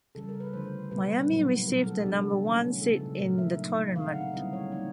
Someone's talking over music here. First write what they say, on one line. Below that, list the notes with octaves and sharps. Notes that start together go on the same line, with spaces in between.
Miami received the number one seed in the tournament.
C#3 E3 G3 A4
A#4
B4
D3 F3 A3 C5
B2 G3 B3 B4
A#2 F#3 B3 D#4
B2 F#3 B3 A#4
A4
C#3 F#3 B3 D4
E3 A3 C#4
C#3 F3 G#3 A4
A4
A#2 F#3 A3 A#4
E5
F#3 A#3 D#4
D#3 G#3 C4 D#4 F5
F#5
F5
D3 G3 C4 E4 D#5
C#5
F3 A#3 D#4 D5